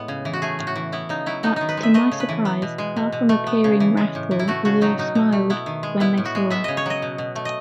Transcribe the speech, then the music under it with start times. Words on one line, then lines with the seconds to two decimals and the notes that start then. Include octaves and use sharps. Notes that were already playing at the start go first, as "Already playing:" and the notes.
But, to my surprise, far from appearing wrathful, the smiled when they saw us!
Already playing: A2 G#3 B3
0.08 C#3
0.25 E3
0.33 F#4
0.42 A3 G#4
0.59 A2
0.67 F#4
0.76 E3
0.92 B3 E4
1.09 C#3 D#4
1.26 F#3 E4
1.43 B3 D#4
1.56 D#3 D#4
1.69 B4
1.77 G#3
1.83 E5
1.94 A3 D#5
2.12 C#3
2.20 B4
2.29 E3
2.45 B3
2.62 B2
2.78 G#3
2.96 B2
3.12 B2
3.29 A3
3.47 B3
3.64 C#3
3.80 E3
3.97 G#3
4.15 A2
4.31 E3
4.39 E4
4.48 A3 F#4
4.65 C#3 F#4
4.81 F#3 D#4
4.99 B2 D#4
5.15 B2
5.32 A3
5.50 B3 E4
5.66 D#3
5.83 G#3
6.00 B3 E4
6.18 A2
6.25 F#4
6.35 G#3
6.50 B3 E5
6.64 C#3 D#5
6.77 C#5
6.86 F#3 D#5
7.02 B2
7.18 B2
7.35 A3
7.45 D#5